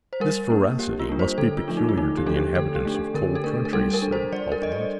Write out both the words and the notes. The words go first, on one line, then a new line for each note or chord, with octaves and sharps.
"This voracity must be peculiar to the inhabitants of cold countries," said Altamont.
C5
G3 A#4
A#3 D4
G3 G4
F4
A#3 D4
C5
D3 A4
F4
F3 A3 D4
D#4
F4
D3 D#4
G4
F3 A3 D4 A4
G4
D3 A4
G4
A3 D4
A4
D3 A#4
A4
A3 D4 A#4
A#4
G3 A4
A#4
D4
C5
G3 D5
A#4
D4 D#5
D5